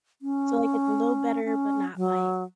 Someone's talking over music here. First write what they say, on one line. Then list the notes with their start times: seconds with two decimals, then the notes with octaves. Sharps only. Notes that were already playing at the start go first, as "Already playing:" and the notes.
So, like, it's a little better, but not, like,
0.22 C#4
1.44 C#4
1.96 F#3